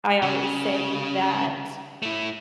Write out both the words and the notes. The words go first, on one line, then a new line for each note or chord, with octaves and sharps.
I always say that
C#3
A3 E4